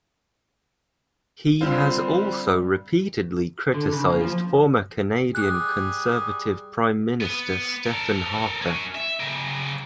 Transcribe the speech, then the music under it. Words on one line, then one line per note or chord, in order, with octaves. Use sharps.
He has also repeatedly criticized former Canadian Conservative Prime Minister Stephen Harper.
D3 G3 C4 F4
D3
C#3
A#3
F3
G3 G#4 F#6
B3
A4 A#4
C#4 F#4
E5
C#3 A#4